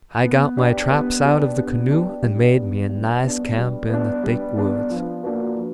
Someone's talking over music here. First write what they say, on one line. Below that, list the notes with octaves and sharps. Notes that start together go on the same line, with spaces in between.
I got my traps out of the canoe and made me a nice camp in the thick woods.
B3
D4 G4
B3
D4 G4
B3
D4 G4
G3
B3 D4
G3
B3 D4
G3
B3 D4
G3
B3 D4
F3
A#3 D4 F#4 B4
F3